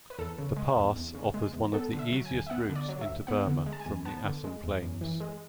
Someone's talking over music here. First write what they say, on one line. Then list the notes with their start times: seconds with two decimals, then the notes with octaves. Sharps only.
The pass offers one of the easiest routes into Burma from the Assam plains.
0.10 B4
0.18 E2 A4
0.38 C#3
0.56 G#3
0.77 E2
0.96 E2
1.15 C#3
1.34 G#3
1.53 E2
1.73 B3 A4
1.93 D3
1.99 E5
2.12 F#3
2.25 G#5
2.31 D2
2.47 E5
2.50 B3 F#5
2.69 D3
2.75 D5
2.89 F#3
3.01 E5
3.08 D2
3.27 B3 F#5
3.46 D3
3.66 G#3
3.72 A5
3.80 G#5
3.86 E2
4.05 B3 A5
4.24 D3
4.44 G#3
4.63 E2
4.82 F#2
5.01 E3
5.20 G#3